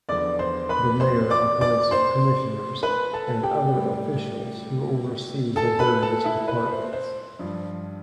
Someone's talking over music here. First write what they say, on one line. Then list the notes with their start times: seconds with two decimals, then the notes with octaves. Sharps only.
The mayor appoints commissioners and other officials who oversee the various departments.
0.09 E2 D3 F3 D5 D6
0.39 C5 C6
0.69 B4 B5
1.00 C5 C6
1.30 D5 D6
1.61 D5 D6
1.91 C5 C6
2.83 B4 B5
3.13 A4 A5
3.43 G4 G5
3.74 A2 G3
5.56 A4 A5
5.79 B4 B5
6.02 A4 A5
6.24 E4 E5
6.48 B4
6.71 C5
6.93 C5
7.39 G2 F3